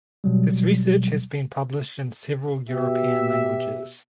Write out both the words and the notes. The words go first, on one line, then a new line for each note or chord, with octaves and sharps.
His research has been published in several European languages.
B2 F#3 G3
B2 G4 E5